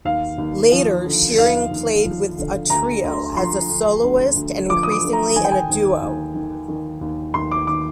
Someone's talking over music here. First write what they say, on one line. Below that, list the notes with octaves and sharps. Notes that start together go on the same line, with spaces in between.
Later, Shearing played with a trio, as a soloist and increasingly in a duo.
D#2 F5
D#2
F3
D3
D#2 F5
D#2
F3
D3
D2 A#5
D2
F3 C6
D3
D2
D2
F3 D6
D#6
D6
D3
A#5
D#3 G#5
G5
G#5
D#2
D#2
D#3
D#3
D#2
D#2 C6
D6
D#3 D6